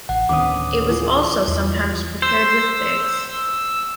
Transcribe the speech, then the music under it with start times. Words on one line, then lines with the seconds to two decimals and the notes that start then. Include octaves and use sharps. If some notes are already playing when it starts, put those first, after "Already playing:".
It is also sometimes prepared with figs.
0.09 A1 F#5
0.29 D1 D#3 B3 C#4 D4 B4 D6 D#6
0.89 E3 F3 G#4
1.47 E2
2.22 C5 E6